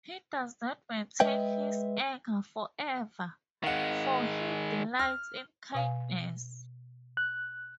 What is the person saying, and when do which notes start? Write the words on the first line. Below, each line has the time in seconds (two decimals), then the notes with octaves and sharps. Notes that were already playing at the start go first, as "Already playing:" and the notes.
He does not maintain His anger forever, for He delights in kindness.
1.20 G#3 B4 D#5 E5 G5
3.64 D#3 G#3 F5 F#5
4.99 F6
5.74 B2 F5 G#5
7.17 F#6